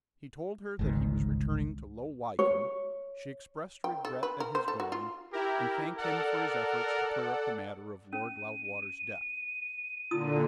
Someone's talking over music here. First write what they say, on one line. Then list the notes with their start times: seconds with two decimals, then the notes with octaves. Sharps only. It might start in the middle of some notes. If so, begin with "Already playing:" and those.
He told her that he was returning to Low Wycombe; she expressed regret at his going, and thanked him for his efforts to clear up the matter of Lord Loudwater's death.
0.79 G1 C#2 G#2 D#3
2.39 C#5
3.84 G5
4.05 A4
4.23 B4
4.40 A#4
4.55 C5
4.68 A4
4.80 F#4
4.92 F4
5.33 E4 G4 A#4
5.98 A4 A#4 D5 F#5
8.13 C#4 D#7
10.11 A#2 D3 E4 F4 D#6